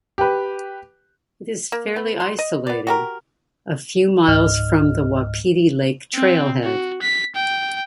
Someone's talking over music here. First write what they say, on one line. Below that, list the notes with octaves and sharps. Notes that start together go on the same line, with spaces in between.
It is fairly isolated, a few miles from the Wapiti Lake Trailhead.
G4 B4
A#3
B3
C6
D#5
B3 D5
F#4 G4 A#4
G#1 C#2 G#2 D#5 F6
C4
F#4
B6
G5